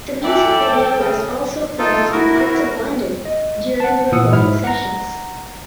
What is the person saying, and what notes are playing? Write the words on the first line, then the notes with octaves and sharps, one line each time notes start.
The music video was also filmed in parts of London during the recording sessions.
E3 E4 A4 D5 G5
C#3
D#4 F4 A4
E4 F#4 A#4
D#5
F#5 A5
A#2 E3 F#5 D#6 E6 C#7
G#2 E4 F6
F#5 A#5